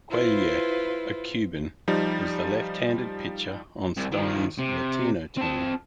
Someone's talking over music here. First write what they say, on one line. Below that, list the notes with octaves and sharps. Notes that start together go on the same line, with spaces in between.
Cuellar, a Cuban, was the left-handed pitcher on Stein's Latino team.
E4 F4 B4 C5
F3 G3 D#4
C2
D#3 F3
C3
C4 A5